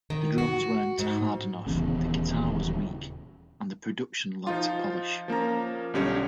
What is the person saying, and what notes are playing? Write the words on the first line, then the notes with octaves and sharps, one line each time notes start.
The drums weren't hard enough, the guitar was weak, and the production lacked polish.
D#3
F#4
G#2
D#1 E2 C#3
F3 D#4 F4
F3 A#3 C#4 A#5
B1 D3 G3 C#4 G4 C#5